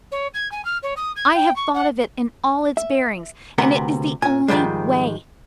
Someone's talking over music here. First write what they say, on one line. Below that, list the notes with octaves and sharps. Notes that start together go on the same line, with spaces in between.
I have thought of it in all its bearings, and it is the only way.
C#5
G#6
G#5
F6
C#5
D#6
G#6
G5
C#6
F#5
E5
D2 C3 A#4 B4 F#5 C6
A#2 G#5
G#2 D#3 F3 G3 G#3